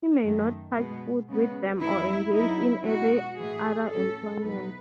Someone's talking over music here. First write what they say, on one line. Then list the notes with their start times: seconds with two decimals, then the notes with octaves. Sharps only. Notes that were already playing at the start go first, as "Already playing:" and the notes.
He may not touch food with them or engage in any other employment.
0.23 F#2 D#3 A3
0.76 B2 G#3 B3
1.28 C#3 G#3 B3
1.80 F#2 E3 B3 D#4 E4
2.32 C#3 F#3 B3 D#4 E4
2.84 B2 G#3 D#4 F#4
3.36 A2 E3 G#3 G#4
3.89 A2 F#3 C#4 A4
4.42 E2 B2 F#3 B3 D#4 B4